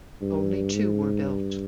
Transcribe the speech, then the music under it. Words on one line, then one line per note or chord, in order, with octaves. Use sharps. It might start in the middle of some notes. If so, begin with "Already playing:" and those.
Only two were built.
G2
G#2
G2